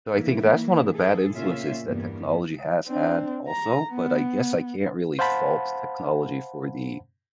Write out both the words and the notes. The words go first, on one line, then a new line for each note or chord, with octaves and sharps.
So I think that's one of the bad influences that technology has had also, but I guess I can't really fault technology for the,
E3 A#3 E4
G#4 A4
A#2 C#3 C#4 F4 E5 F5
E2 G2 G3 A#3 B3
C4 D4
A#5
B3
C5 F5 F#5 A5 B5